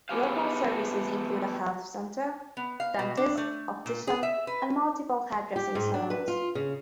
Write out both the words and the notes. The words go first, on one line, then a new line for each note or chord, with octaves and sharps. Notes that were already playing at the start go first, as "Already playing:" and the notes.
Local services include a health centre, dentist, optician and multiple hairdressing salons.
A3 B3 G4 G#4 F5
B3
F5
B2
D4
A3
A#2
G#4
E5
B4
G4
G#2
D4
B4
F4
C#3